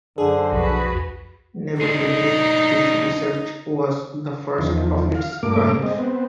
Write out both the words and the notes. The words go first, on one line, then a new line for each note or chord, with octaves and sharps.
Nevertheless, his research was the first of its kind.
F#2 D3 G#4 C5
B1 F2 F#4 G#4 B4
G#3 D4 D#4
E2 D#3 F3
F5
G2 A#2 A3 A#3 D6
G#3 C4 D#5
B3 C4